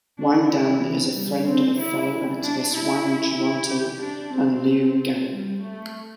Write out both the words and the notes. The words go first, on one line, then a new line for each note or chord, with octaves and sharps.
Wang Dan is a friend of fellow activists Wang Juntao and Liu Gang.
D4
E4
E3
G3
C4
E4
D4
E4
E4
G4
D4
C4
G3
A3